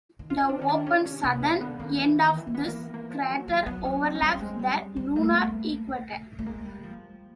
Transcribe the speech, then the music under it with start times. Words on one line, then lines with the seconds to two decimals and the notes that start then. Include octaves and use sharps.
The open southern end of this crater overlaps the lunar equator.
0.19 D#3
0.30 D3 F4
0.49 D4
0.59 D#3 C#4
0.68 D4
0.86 C#3 C#4
1.06 C3 C#4
1.23 C3 B3
1.43 C#3 A#3
1.61 D3 B3
1.79 D#3 A#3
1.98 E3
2.17 D#3
2.36 E3
2.47 F3
2.55 E3 B3
2.68 A#3
2.94 A#3
3.10 F3
3.29 F#3
3.48 F#3
3.66 F#3 B3
3.85 C#4
4.03 C4
4.15 C#4
4.22 G3 C4
4.40 G#3
4.59 G3
4.96 G3
5.16 A3
5.23 A#3
5.35 B3
6.39 A3
6.46 G#3 A#3
6.65 G3
6.83 F3